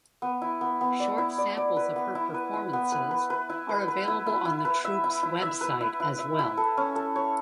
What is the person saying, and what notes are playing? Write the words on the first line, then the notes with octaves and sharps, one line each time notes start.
Short samples of her performances are available on the troupe's website as well.
B3
E4
B3
B3
D5
E4
D5
D5
B4
B3
E4
B4
E4
B3
B4
B4
B4
E4
B4
B4
E4
E4
E4
B4
E5
E4
E4
E5
B4
E4
E4
E5
E4
A4
C#4
A4
C#5